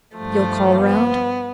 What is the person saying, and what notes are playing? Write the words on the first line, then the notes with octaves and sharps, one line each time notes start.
"You'll call round?"
G2 F3 A3
B3